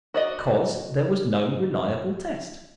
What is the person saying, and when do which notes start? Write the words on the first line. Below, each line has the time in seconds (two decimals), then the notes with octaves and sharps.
Because there was no reliable test.
0.14 F#4 D5 D#5